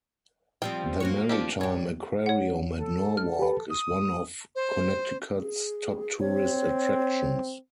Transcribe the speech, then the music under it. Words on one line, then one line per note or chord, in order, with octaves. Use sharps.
The Maritime Aquarium at Norwalk is one of Connecticut's top tourist attractions.
F3 G3 C4 G5
A#3 F#4 C#5
F3 D4 G4
D4 G4 C#5
C#5 F#5
A4
F6
G4 B4
D#6
C5
G#4
C4 C#5